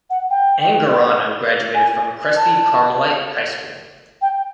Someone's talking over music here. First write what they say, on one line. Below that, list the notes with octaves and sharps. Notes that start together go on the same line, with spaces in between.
Angarano graduated from Crespi Carmelite High School.
F#5
G5
G#5
A5
G5